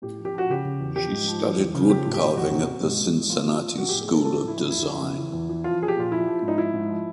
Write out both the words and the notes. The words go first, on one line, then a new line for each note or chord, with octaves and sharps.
She studied wood carving at the Cincinnati School of Design.
A2 G4
F3
G4
F3 F#4
C#3 G4
C#3
E2
F3 G4
G#2
F3
E3
E2
C#3
F3 G4
A2
G4
A2
E2 F#4
C3
C3
G#2
G#2
E3
F3 F4
F3
F3
F3 F#4
A2 G4
G#4
F3 A4
E3 A4
A2
E4
E3
F2 E4
F2
C#3
E3
E2
E3
F3 F4
F3 G#4
G4
A#2 F4
F3 E4
F3
G#2
D#4
F3 E4
G#2
F3